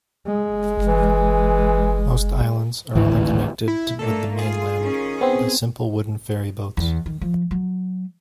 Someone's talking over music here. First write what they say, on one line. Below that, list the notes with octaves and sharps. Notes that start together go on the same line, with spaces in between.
Most islands are only connected with the mainland by simple wooden ferryboats.
G#3
E3
G#1 D2 A2 E3
E4
A3 A#3 D4 A4
F4 G#4
D#3 C#4 F4
B3 C4
E2
D#3
F3
F#3